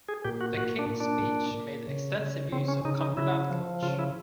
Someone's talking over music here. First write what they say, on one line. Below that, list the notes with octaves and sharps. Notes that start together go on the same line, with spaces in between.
"The King's Speech" made extensive use of Cumberland Lodge.
G#4
A#2 G4
F#4
A#2 F#4
D4
A#2
D4
A#2
A#2
C#3
C#3
C#3 C4
C#4
C#3 D#4
D#4
C#3 E4
F3
C#3 F4
E4